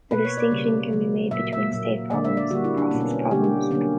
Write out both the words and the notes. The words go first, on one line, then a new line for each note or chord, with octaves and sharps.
A distinction can be made between state problems and process problems.
B2 A#3 B4
C#5
D5
C#3 G3 A#3
C#3 F#3 A#3
A#2 F#3 A#3 E5
E5
A#2 F#3 A#3
D3 A#3 D5
E5
D5
D3 G3 A#3 F#4
E4
D4
B2 A#3 C#4
B3
C#4
D3 G3 A#3 G4
G4
D3 F#3 A#3 C#4